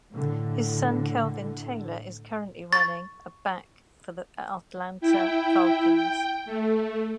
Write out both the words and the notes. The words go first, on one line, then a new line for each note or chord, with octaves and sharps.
His son, Kelvin Taylor, is currently a running back for the Atlanta Falcons.
A2 D3
C#6 A6
E4 G5
G5
A3